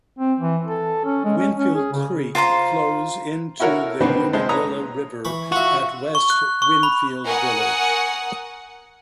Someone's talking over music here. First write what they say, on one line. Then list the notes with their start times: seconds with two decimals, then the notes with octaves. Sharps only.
Winfield Creek flows into the Unadilla River at West Winfield village.
0.18 C4
0.40 E3
0.67 A4
1.05 C#4
1.24 G#3
1.37 C#4
1.57 C#4
1.75 G#4
1.92 C#3
2.35 F4 C5 A#5 C6
3.60 E4 F#4 A4 A#4 C#5
4.00 B2 D3 D#3 B3 C4
4.33 C2 G#3 C5 A5
4.49 B4 C#5 A#5 D#6
5.25 E3 B5 C#6
5.52 F4 F#4 E5
6.15 C#6
6.30 F#6
6.62 C#6
6.83 B5
7.25 A#4 F#5 G#5 C#6 D#6